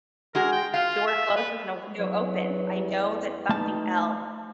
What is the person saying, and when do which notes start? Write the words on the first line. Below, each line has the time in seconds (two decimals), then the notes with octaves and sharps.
door closes and a window opens. I know that something else
0.35 G#3 F#4 G#4 A#4
0.52 G5
0.74 F4 F5
1.07 E5
1.37 B4
1.98 E2 F#3
3.49 A3 D#4 A5